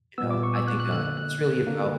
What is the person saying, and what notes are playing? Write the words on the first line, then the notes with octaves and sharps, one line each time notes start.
uh, you know, I think, uh, it's really about,
A#2 G3 B3 E6
D6
C#6
E6
F#6
F#6
D3 A#3 F#6
F#6
F#6
D3 A#3